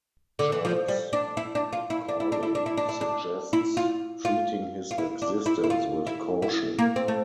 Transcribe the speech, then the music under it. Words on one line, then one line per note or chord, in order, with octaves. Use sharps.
Charles Cawley suggests treating his existence with caution.
D3
E3
F3
G3
D4
E4
D4
F4
E4
D4
E4
D4
E4
D4
E4
D4
E4
D4
E4
F4
F4
F4
E4
D4
E4
E4
F4
E4
E4
A#3
C4
A3